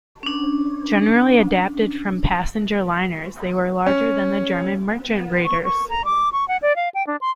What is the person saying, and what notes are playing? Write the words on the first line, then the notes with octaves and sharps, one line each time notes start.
Generally adapted from passenger liners, they were larger than the German merchant raiders.
C#4 D4
C#4
C#6
C#6
A#5
D6
C#6
F#5
D5
F5
G5
D4
C6